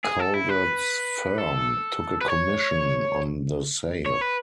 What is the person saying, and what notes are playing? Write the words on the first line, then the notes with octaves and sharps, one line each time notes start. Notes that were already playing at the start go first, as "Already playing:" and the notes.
Calvert's firm took a commission on the sale.
G#4
A4
E4
B4
A4
B4
C#5
C#5
B4